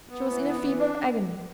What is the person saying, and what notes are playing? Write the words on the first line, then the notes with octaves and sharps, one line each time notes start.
She was in a fever of agony.
B3
E3
B3
E3
D4